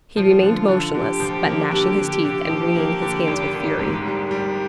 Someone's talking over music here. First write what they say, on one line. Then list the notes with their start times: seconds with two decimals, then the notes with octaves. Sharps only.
He remained motionless, but gnashing his teeth and wringing his hands with fury.
0.17 F3 F4
0.42 D3
0.68 D3
0.95 D3 G4
1.20 F3
1.46 A#3
1.72 D3 G4
1.98 D3
2.24 D3
2.50 F3
2.76 A#3
3.02 D3
3.27 G#1
3.54 G#1
3.79 G#2
4.05 G3 G4
4.31 G3